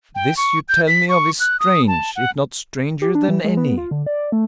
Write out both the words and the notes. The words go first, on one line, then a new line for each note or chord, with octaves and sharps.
This you tell me of is strange--if not stranger than any!
G5
C#6
G6
B6
C#6
F#6
D#6
A5
F#5
G4
D4
E3
G#3
B3
F4
D3
D5
A3